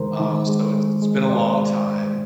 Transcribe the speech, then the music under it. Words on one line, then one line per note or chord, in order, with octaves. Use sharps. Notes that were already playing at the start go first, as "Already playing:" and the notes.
um, so, it's it's been a long time,
Already playing: D#3 G#3 A#4 C5
D#3
G#3
G#3
G#3
G#2 C5 D5
G#3
G#2